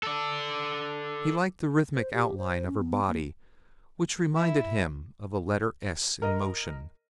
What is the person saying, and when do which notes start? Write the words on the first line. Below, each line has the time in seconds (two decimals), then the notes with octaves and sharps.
He liked the rhythmic outline of her body, which reminded him of a letter S in motion.
0.03 A4 D5
1.95 C5
2.13 G4
2.37 C5
2.67 C#4
2.79 B3
3.08 A#3
4.36 E4
6.22 A#4 D#5